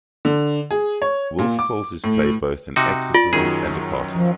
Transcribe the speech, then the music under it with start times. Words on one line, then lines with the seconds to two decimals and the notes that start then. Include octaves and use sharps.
Wolfe calls his play both, 'an exorcism and a party.
0.25 D3
0.71 G#4
1.02 C#5
1.39 A#2
1.59 D6
2.04 A2
2.76 C3 D#4 F#4
3.14 F4 D5
3.33 F#2 D#3 F#3 G#4
4.14 F3